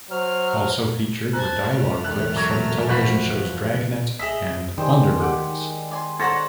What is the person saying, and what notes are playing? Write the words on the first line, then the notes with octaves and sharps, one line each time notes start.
Also featured were dialogue clips from the television shows "Dragnet", and "Thunderbirds".
F#3 C5 F6
C5 A5 A#5 F#6 G#6
G#2 A3 F6
E1 F#6
F#3
F3 F#4 B5
G#4 D#5 E5 B6 E7
D#3 G3 G#3 C5
G4 F#5 D6
D5 G#5 C6
A4 C5 C#5 F#5 A#5 A6 A#6